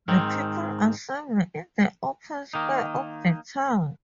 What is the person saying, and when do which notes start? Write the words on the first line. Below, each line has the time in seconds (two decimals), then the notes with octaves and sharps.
The people assemble in the open square of the town.
0.08 G#2 D#3 C4
2.54 D#3 A#3 D#4